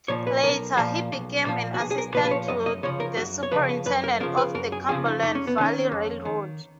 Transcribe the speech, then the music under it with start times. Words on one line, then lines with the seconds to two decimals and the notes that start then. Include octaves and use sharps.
Later, he became an assistant to the superintendent of the Cumberland Valley Railroad.
0.08 A#2 F3 C#5
0.27 B4
0.43 B1 A#4
0.77 A#2 F3
1.12 B1
1.47 A#2 F3
1.74 F#4
1.80 B1 G#4
1.91 G#4
1.98 A#4
2.14 A#2 F3 B4
2.25 B4
2.31 C#5
2.48 F#2 D#5
2.66 D#5
2.83 C#3 F3 C#5
3.00 A#4
3.17 F#2 F#4
3.43 C#5
3.51 C#3 F3 B4
3.69 B4
3.86 F#2 B4
4.04 A#4
4.20 C#3 F3 A#4
4.37 B4
4.55 F#2 A#4
4.72 G#4
4.89 C#3 F3 G#4
5.05 D#4
5.23 F2 D#4
5.35 C#4
5.47 B3
5.58 D#3 C#4
5.92 F2
6.25 D#3